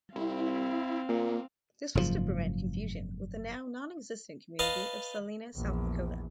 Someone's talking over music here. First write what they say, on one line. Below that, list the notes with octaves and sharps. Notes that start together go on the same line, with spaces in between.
This was to prevent confusion with the now non-existent community of Salena, South Dakota.
C2 C4 E4 F5
A#2 A#3
F#1 G#2 B2 F3
B4 D#5 F5 A5
A#1 E2